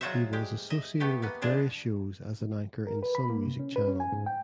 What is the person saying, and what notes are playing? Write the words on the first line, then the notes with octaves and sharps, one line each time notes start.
He was associated with various shows as an anchor in "Sun Music" channel.
F#3 G#3 F4 F#4 C5 E5
G#3 G4
D#5 E5
A3 B3 G4
A#3 B3
E3 G#3 D4 F4 G#4
A#4
B4
B5
A#3
C3
C#4
B4
C#4
G#5
G#2
G5